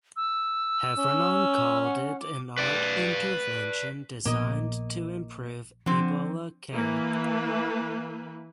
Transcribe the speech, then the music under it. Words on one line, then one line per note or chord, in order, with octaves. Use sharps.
Heffernan called it "an art intervention designed to improve Ebola care".
E6
C#4
F#5
D6
B4 D5
A#1 A#2 A#3 B3 D#5
D3 F3 C4
E3 A#3 B4